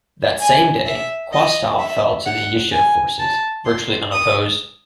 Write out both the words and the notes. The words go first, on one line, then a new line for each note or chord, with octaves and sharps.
That same day, Qastal fell to the Yishuv forces, virtually unopposed.
G#5
E5
D#5
E5
F#5
G#5
A5
C6
D#6